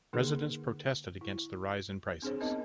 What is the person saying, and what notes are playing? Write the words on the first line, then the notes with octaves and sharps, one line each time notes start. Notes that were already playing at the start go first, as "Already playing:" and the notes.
Residents protested against the rise in prices.
D3 A#3 D#4 G#4 A#4
E4
C4 D4 G#4 C5 C#5
B3 C4 D#4 A#4 D#5 A5